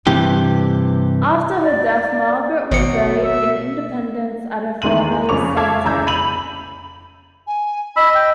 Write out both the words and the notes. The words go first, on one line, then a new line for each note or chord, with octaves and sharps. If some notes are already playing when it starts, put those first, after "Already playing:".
After her death, Margaret was buried in Independence at her family's cemetery.
G2 C3 E3 G4
D5
G#1 B2 F#3 C#7
E5
E2 D#3 G#3 C6 D#7 F#7
F2 C#3 C#6 D6 F7
A4 E5 F5 A5 D6 G#6
C#3 E4 A#5 E6 G6
B5 D#7 F7 F#7
G#5
D#5 B5 E6
G5